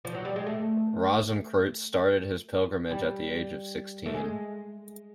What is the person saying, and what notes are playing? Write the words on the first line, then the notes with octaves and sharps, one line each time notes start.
Rosenkreuz started his pilgrimage at the age of sixteen.
F3
F#3
G3
G#3
A3
G3
A3
G#3